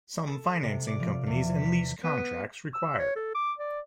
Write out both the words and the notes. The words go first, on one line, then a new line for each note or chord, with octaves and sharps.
Some financing companies and lease contracts require it.
A4
C3
D5
F3
E2
B6
B3
E6
C#5
A4
D6
D5